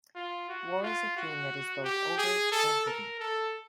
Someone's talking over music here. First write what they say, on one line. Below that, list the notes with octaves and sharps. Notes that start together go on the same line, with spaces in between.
War is a theme that is both overt and hidden.
F4
F#4
F4
F#4
G4
G#4
A4
A#4
A4